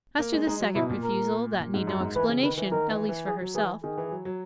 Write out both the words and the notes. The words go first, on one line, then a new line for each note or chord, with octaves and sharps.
As to the second refusal, that needed no explanation, at least for herself.
A#3
G#3
G#3 D#4
F#3
B2 E4
A#2
A#4
A#2
G#2
F#2
G#2
E3 B4
C#3
D#3 B4
E3
D#3 A#4
E3
E3
G#4
F#3
E3 G#4
D#3 G#4
E3
F#3
F#3